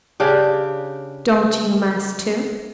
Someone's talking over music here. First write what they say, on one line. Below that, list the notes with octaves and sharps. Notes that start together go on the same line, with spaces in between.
"Don't you mass, too?"
C#3 D4 G4